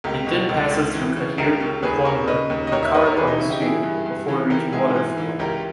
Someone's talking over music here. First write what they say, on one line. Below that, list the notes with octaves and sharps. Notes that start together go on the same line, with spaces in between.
It then passes through Cahir, Clonmel and Carrick-on-Suir before reaching Waterford.
C#2 G4 A#4
B2
C#2
C#2
E3
C#3
C#2 G4 A#4
C#3
D#2 G#4 B4
C#3 A#4 C#5
C#3 B4 D#5
D#2
D#5
D#2 A#4 C#5
C#5 E5
D#2 B4 D#5
A#4 C#5
E3 G#4 B4
D#4
C#3 E4
D#4 G4
E3 E4 G#4
G2
G2
E3
E3 G4 A#4
G#2 E4 G#4
E3
E3
C#2 G4 A#4